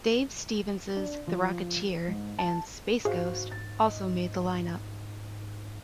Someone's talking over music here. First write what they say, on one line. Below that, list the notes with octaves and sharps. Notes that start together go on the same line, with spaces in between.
Dave Stevens's "The Rocketeer" and "Space Ghost" also made the line-up.
D4
F3
G#2
A5
G#2 F#4 G#4 C5 F5
A6
D#5